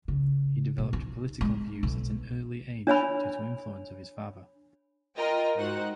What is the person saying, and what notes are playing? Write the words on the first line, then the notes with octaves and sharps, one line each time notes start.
He developed political views at an early age due to influence of his father.
C#3
B2
D#4
G#3
B1
D4 C#5 G#5 B5
F4 A#4 D#5 G5
G#2 D#4 F#4 C5 F#5